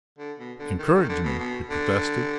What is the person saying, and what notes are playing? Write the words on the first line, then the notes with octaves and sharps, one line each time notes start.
"Encouraged me!" he protested.
D3
B2
D3
D#3
D3
D#3
D3
B2
B2
D3